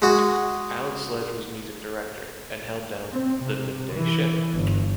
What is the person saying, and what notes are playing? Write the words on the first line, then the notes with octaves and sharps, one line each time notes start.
Alan Sledge was music director, and held down the mid-day shift.
G#3 F#4
C4
C3
E3
G1